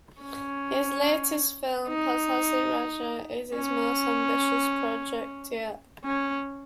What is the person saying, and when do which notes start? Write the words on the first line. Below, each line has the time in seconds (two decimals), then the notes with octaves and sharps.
His latest film, "Pazhassi Raja", is his most ambitious project yet.
0.22 C#4
1.88 D#4
3.55 C#4
6.05 C#4